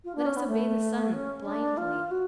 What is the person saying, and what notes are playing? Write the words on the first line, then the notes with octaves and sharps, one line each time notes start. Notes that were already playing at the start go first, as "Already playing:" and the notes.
Let us obey the sun blindly.
F4
D4
C#4
B3
A3
C#4
D4
F4
F#4